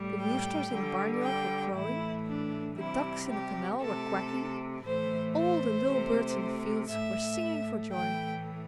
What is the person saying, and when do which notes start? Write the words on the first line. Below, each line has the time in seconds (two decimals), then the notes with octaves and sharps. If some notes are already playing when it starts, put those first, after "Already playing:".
The roosters in the barnyard were crowing, the ducks in the canal were quacking, and all the little birds in the fields were singing for joy.
Already playing: A2 G3
0.20 G5
0.71 D3 G3
1.23 G5
1.74 A2 E3 A3 E4
2.25 D4
2.77 C3 G3 E4
3.29 G4
3.81 C3 A3 A4
4.83 A2 E3 A3 C5
5.35 C5
5.86 C3 A3
6.89 A2 A3 E5
7.92 A2 E3 A3 G5